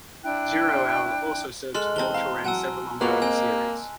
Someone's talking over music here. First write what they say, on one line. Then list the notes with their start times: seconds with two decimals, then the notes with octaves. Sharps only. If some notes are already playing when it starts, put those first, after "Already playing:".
"Zero Hour" also served to launch or end several ongoing series.
0.23 D4 E4 G5 F#6
1.74 G#3 A4 C6 F6 F#6
1.96 E3 C4 A5 G7
2.14 F5 A#5
2.44 F#3 F#5 G#5 A5 E6
3.01 G#3 A#3 B3 F4 F#4 A#4 F#6
3.22 C4 D#5 G#5